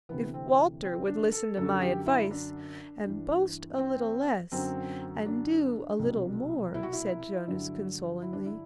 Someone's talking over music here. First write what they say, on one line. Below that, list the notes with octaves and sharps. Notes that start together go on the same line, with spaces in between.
'If Walter would listen to my advice, and boast a little less, and do a little more,' said Jonas, consolingly.
D2 C3 E3 B3
C4
C4
D4
A4
F#2 D3 F#3 A4
G4
E4
D4
G2 E3
C4
F#2 D3 F#3 C4
D4
C2 B2 F#3
E4
F#4
E4
G2 D3 F#3
E4
D4
E4